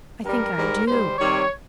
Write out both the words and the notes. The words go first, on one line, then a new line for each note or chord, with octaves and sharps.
"I think I do."
G2 G3 A#4
G#2 G3
G#2 G3 C5
C3 D#3 G3 C#5